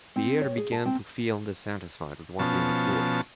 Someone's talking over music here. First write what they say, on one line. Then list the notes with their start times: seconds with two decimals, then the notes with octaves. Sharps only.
Pierre began to feel dissatisfied with what he was doing.
0.16 C4
0.42 C#5
0.57 G#4
0.72 A5
0.86 C4
2.39 B2 F3 C#4 A5